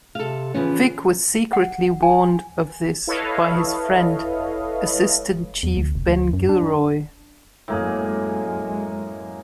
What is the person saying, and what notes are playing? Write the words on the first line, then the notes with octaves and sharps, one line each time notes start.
Vic was secretly warned of this by his friend, Assistant Chief Ben Gilroy.
C3 A4 F5
C#3 E3 F3 B3 C#4
F#5
G#5
E4 A4 B4 C#5 D#5 F5
E2
D2
F1
D2
F#2
D4
F#2 A2 G#3 A#3 G#4